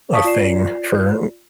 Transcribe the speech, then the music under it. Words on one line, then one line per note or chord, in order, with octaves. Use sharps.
a thing for
C#5 F5 A5 C#6 D#6 B6
F4 D5 C7 E7